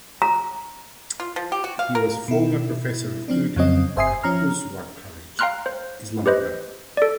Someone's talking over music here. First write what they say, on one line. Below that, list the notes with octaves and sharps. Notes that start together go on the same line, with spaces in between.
He was former professor of Urdu at Uswa College Islamabad.
A#5
F4
F3
G4
F#4
F5
A#4
B2 E4
F3 C4 D4
F2 C#3 F#3 C4 D#5
G1 C5 E5 G#5 D#6 C7
F3 C#4 A#5 F6
F5 G5 A#5 C6 F6 F#6
C5
G4 B4 C5 D#5
A4 D5